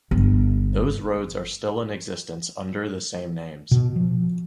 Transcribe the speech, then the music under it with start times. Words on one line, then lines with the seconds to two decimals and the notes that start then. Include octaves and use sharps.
Those roads are still in existence, under the same names.
0.11 G1
3.71 B2
3.96 F3